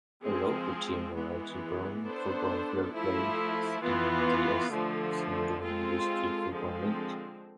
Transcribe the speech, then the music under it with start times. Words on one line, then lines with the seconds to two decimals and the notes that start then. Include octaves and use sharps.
A local team, the Craigieburn Football Club plays in the Essendon District Football League.
0.23 F3 G#3 C4 G#4
1.13 E3 G#3 B3
2.03 B3 D4 A4 C5
2.92 F3 A3 E4
3.82 E3 B3 F4
4.72 D3 F3 A3
5.61 G#3 C4 F4 A4
6.51 D3 F3 G#3 C4